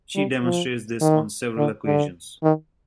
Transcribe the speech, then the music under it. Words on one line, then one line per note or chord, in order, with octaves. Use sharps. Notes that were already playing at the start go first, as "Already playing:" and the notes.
She demonstrates this on several occasions.
G3
F3
D#3
D3
D3
D#3